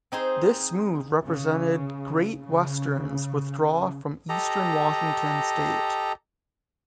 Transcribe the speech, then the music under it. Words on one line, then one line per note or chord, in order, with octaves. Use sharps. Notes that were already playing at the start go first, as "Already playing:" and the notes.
This move represented Great Western's withdraw from Eastern Washington state.
C4 D#4 G#4 C5
C#3
C#3
G4 A4 D#5 A#5